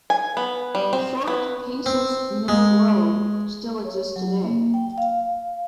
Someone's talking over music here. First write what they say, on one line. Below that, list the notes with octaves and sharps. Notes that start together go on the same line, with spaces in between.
The short Paces Mill Road still exists today.
G#5
B3
G3
C4
B3
C4
G#3
C#5
F#3
A#3
G5
F5
F5